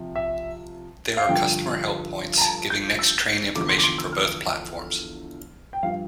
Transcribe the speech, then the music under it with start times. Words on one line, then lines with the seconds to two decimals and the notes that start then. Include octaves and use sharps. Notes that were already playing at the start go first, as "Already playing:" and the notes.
There are customer help points, giving next train information for both platforms.
Already playing: C3 F3
0.16 E5
1.17 F5
1.29 G2 D3 F3 G5
2.38 A#5
2.41 A5
2.70 G6
2.99 E6
3.55 E2 D3 F3 D6
3.69 C6
3.78 D6
3.84 C6
3.98 E6
4.13 F6
5.73 G5
5.83 G2 F3 F5